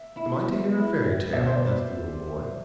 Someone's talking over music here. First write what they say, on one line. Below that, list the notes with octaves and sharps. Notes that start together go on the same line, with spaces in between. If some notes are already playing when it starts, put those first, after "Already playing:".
"Am I to hear a fairy tale?" asked the little boy.
Already playing: E5
E4
B3
E4
G3
B2 E5
C5
D5
B3